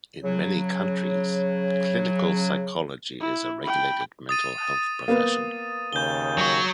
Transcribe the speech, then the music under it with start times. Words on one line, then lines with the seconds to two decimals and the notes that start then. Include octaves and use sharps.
In many countries, clinical psychology is a regulated mental health profession.
0.24 C#3 F#3
3.20 E4
3.63 G5 B5
4.29 D#6 A6 D#7
5.08 A#3 B3
5.93 D#2 C#3 G6 G7
6.38 F#3 C#5